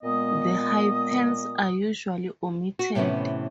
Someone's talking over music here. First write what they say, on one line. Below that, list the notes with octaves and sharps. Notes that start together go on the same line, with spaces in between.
The hyphens are usually omitted.
A#2 G#3 B3 D#5 D#6
F#4
A2 C3 E3 B3 C#4